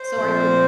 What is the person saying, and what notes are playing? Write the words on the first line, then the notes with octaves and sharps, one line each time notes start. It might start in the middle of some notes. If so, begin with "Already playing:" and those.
so are you
Already playing: C5
A#2 F3 C4